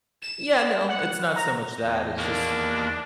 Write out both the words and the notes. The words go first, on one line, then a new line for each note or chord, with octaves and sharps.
Yeah, no. It's not so much that. It's just
E7
F#5
A#5
E2 D#5
D#2 A#3 D4